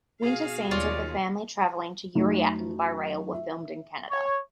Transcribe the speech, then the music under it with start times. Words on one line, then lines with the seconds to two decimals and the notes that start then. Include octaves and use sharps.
Winter scenes of the family traveling to Yuriatin by rail were filmed in Canada.
0.22 B2 F#4 G#4 F5
0.71 D#2 F4 C#5 D5
2.15 F#2 A3 D#4
3.33 E5
4.11 C#5